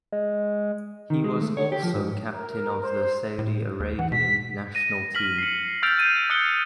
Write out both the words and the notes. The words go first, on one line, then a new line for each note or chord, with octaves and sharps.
He was also captain of the Saudi Arabian national team.
G#3
D#3
G#3
A3
C#5
G4
F3
G#2
A#4
C5
A2
D#2
E3 F#5
B2 B6
A#6 D#7
F6 B6 F#7
C7 C#7
E6 F6 G6 A6 D7 F7
G6 D#7
D#6 F#6 G6 C#7 G7